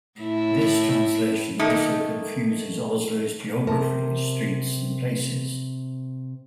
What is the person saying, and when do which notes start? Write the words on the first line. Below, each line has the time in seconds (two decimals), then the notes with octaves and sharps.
This translation also confuses Oslo's geography-streets and places.
0.20 A2 E4
1.59 D#3 A3 A#3 D#4
3.67 C3 A#4 A5